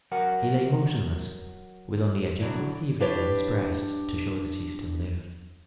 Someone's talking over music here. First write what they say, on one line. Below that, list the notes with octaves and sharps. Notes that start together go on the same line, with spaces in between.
He lay motionless, with only a gentle heaving of his breast to show that he still lived.
F#3 A#4 F#5
F#3 D4 E4
D4 E4 G4 B4 C#5 D5